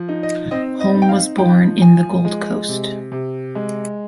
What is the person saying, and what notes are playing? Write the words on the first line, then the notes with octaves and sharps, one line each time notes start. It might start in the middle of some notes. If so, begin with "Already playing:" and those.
Holm was born in the Gold Coast.
Already playing: F3
D#4
D#5
C4 D#5
D#5
D#4
G5
F5
F3 G5
F3 G#5
G#3
C3
C3
G#3